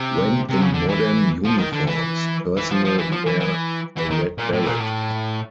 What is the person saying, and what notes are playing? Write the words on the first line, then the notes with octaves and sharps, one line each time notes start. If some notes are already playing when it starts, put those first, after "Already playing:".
When in modern uniforms personnel wear a red beret.
Already playing: C3
C3
C#3
D3
E3
F3
D#3
D3
E3
E3
F3
F3
E3
F3
E3
E3
E3
D#3
A#2
A2
A#2
A2